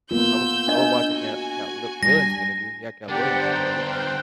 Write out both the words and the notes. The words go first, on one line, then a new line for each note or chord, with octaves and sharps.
Uh, I wol I would watch the Katt Katt l Williams interview, he had Katt Williams on there recently.
A#3 B3 F4 E6 G6
D4 D#5
F#4 G#5
G3 D4 G#5 A#6
D3 B3 D4 G4 C5 D5 F#5 G5
A#5
F6 F#6